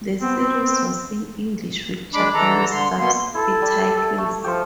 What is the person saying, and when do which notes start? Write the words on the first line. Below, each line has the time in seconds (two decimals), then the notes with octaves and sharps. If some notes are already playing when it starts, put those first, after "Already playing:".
The series was in English with Japanese subtitles.
0.21 B3 C4
2.14 G#3 D4 B5 D6
2.34 D3 E3 A4 A#5
2.72 D3 C6
2.98 B2 A#3 B3 C6
3.34 E4 A4
3.62 G3
4.18 A3
4.44 F3 G4 A4 C5